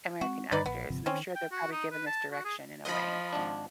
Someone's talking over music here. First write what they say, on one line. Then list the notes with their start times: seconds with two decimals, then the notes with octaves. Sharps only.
American actors, and I'm sure they're probably given this direction in a way.
0.21 G#3 C4 F#4
0.52 G2 D3 D#3 D#4 B4 D5
0.66 A#1 B3
0.90 G1 C3 F3
1.06 D#3 C4 C#4
1.36 G5
1.52 F#4
1.72 D#4
1.91 B4
2.07 A5
2.32 F#4
2.45 G#4
2.85 F3 D#5 B5
3.33 G#1 D4